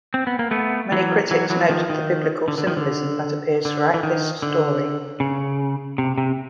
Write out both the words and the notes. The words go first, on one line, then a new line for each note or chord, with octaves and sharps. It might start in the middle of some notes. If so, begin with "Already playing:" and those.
Many critics note the biblical symbolism that appears throughout this story.
C4
B3
A#3
A3 B3
E3 F#3
E3 F#3
E3 F#3
D#3 F3
D#3
D3
D3
D#3 F3
D3
D3
E3
D#3
D3
C#3
C3
C3